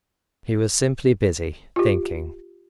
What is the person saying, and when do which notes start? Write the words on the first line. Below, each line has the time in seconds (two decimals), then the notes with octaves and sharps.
He was simply busy--thinking.
1.76 F4 G4